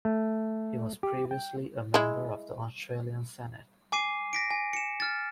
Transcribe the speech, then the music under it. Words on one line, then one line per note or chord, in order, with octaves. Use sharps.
He was previously a member of the Australian Senate.
A3
G4
G5
G#3 E4
G#5 D6 C7 D#7
A#6 B6 D7
G#5
C#7 E7
F6 A6